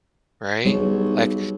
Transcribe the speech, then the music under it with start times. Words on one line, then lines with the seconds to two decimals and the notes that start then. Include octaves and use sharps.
Right? Like,
0.65 B1 G3 G#4 C#5